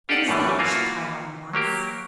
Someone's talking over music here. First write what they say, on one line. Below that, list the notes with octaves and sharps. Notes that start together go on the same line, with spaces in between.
"What is that?" she cried, all at once.
F4 G4 A4 D5 D#5 F#5
F#2 A2 E3 G3
E3 A#3 F4 F#4
F#3 A#3 G4 A#4